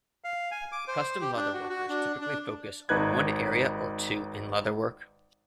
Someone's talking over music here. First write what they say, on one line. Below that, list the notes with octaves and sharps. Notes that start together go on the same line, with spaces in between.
Custom leather workers typically focus on one area or two in leather work.
F5
G#5
D6
C5
G4
D4
F#4
F#4
D4
D4
G#1 D#4 B4 F#6 G#6